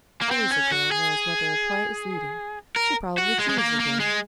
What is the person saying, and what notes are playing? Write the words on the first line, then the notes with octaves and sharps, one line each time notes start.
Always the girl knows whether the play is leading: she probably chooses the game.
A#3
C4
C#4
F#4
G#4
A#4
F#4
G#3
G#3
A#3
A#3
G#3